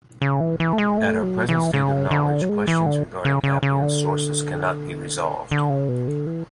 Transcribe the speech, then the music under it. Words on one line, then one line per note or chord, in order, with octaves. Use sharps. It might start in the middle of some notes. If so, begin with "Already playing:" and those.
At our present state of knowledge questions regarding Appian's sources cannot be resolved.
C#3
E3
E3
A3
G#3
A3
F#3
E3
C#3
D3
F#3
G#3
E3
D3
C#3
C#3
C#3
D3
D3
C#3
B2
D3
E3